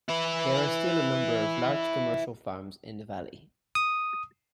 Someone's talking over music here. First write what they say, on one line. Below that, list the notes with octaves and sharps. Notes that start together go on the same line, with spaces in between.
There are still a number of large commercial farms in the valley.
E4 B4
D#6